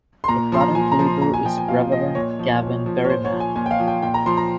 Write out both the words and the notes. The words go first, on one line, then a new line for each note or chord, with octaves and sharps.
The current leader is Reverend Gavin Berriman.
C6
A#2 A#5
F3 C6
A#5
A#2 G#5
A#5
F3
C6
A#2 A#5
G#5
F3 G5
G#5
A#2 F5
F3 D#5
A#2 C#5
F3
A#2
F3
C#5
A#2 C5
C#5
F3
G#5
A#2 G#5
G5
F5
F3
G5
A#2 G5
A#5
F3 C6
A#5